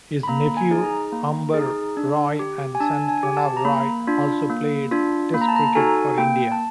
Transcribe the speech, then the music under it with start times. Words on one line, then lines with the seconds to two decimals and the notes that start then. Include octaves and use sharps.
His nephew Ambar Roy and son Pranab Roy also played Test cricket for India.
0.23 B5
0.28 A#3 A#5
0.57 G#5
0.71 D#4 G#4
0.84 A#5
1.12 A#3
1.54 D#4 G#4
1.97 D4
2.39 G4
2.75 G#5
2.80 D4 A5
3.08 G#5
3.23 G4
3.37 A5
3.57 A#5
3.65 A#3 B5
4.07 D4 F4
4.49 A#3
4.91 D4 F4
5.34 A#3 B5
5.41 A#5
5.48 A5
5.56 A#5
5.75 D#4 F#4 A4 G#5
6.18 A#3 G5
6.52 A5